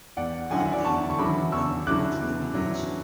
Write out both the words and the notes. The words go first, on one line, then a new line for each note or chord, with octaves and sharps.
Are they going down towards the village?
E2 D5 F#5
D3 F#3 C#4 E4 G#5
F#5
E5
D5 F#5
E2 A5 C#6
C#6
D3 F#3 C#4 E4 B5 D6
E2 C#6 E6
D3 F#3 C#4 E4 D6 F#6
E2
D3 F#3 C#4 E4